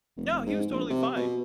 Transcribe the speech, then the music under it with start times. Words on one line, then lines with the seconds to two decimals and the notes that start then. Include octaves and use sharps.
No, he was totally fine.
0.17 F1
0.32 F1
0.46 G#2
0.70 A#1
0.90 C3
1.16 B2